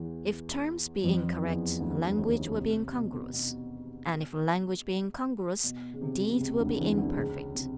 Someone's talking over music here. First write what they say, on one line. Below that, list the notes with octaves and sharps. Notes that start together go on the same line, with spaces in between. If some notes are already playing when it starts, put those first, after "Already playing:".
If terms be incorrect, language will be incongruous; and if language be incongruous, deeds will be imperfect.
Already playing: E2 E3
F2 F3
E2 E3
D2 D3
D#2 D#3
C3
B2
B2
B2
C#3
C3
C3
C#2 C#3
D2 D3
E2 E3
D2 D3
C#2 C#3
C3